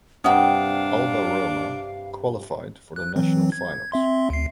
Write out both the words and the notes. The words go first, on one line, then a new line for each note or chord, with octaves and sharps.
Alba Roma qualified for the National Finals.
G2 C3 D4 F5 F#5 D#6
F#6
E3 F#3 C4
G#6
C4 E5 C6
D2 C7